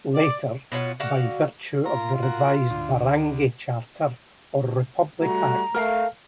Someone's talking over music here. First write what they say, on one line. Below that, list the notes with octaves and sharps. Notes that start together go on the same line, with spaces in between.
Later, by virtue of the revised Barangay Charter or Republic Act.
D5
B2 F4 C#5 F#5
D3 F#4 F5 F#5
F4 A#4 A#5
F#4 A#4
D2
G3 A3 F#4 A#5
A3 A#4 F5